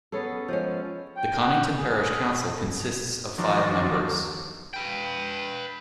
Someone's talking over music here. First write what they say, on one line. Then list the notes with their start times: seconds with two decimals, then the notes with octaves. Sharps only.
The Conington parish council consists of five members.
0.12 B3 C#4 G#4 A4
0.48 F3 G#3 C#4
1.17 G5
1.40 F#5
1.78 G#4
3.38 D#3 F3 F#3 D4
4.74 B4 G5